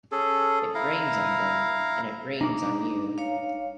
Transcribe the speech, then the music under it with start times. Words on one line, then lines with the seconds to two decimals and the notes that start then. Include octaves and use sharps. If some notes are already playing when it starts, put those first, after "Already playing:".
It rains on them and it rains on you.
0.12 C#4 G#4 A4
0.75 E4 F5 A#5
2.41 D4 D#4 D6
3.18 C#5 F5